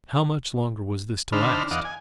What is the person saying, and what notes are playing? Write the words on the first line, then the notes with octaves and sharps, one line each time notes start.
How much longer was this to last!
D3 D4 D#4 C5 B5 F6
E2 D5 D#5 F5 F#5
G#5